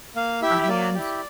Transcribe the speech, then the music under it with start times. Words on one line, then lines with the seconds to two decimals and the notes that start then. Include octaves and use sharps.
a hand,
0.16 A#3 F5
0.42 E4 G4 E5
0.63 E5
0.68 A#3 D5
0.94 E4 G4